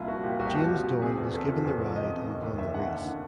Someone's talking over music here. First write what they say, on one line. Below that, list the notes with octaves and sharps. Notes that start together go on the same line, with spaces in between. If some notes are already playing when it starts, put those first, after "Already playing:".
James Doyle was given the ride and won the race.
Already playing: C2 A#2 E4 F4
F3 F#4
A#2 G4
C2 F#4
G4
F3 F#4
C2
F3
C3 G#4
E2
C3 A4
F3
E2
F3
C3 D#5
C3
D#2
D#2
D#2 E5
D3 F#5
D#2 F#5
D3